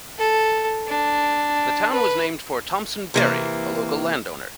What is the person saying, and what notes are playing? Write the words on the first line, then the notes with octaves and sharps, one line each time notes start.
The town was named for Thompson Berry, a local landowner.
A4
D4
B4
C3 E3 A#3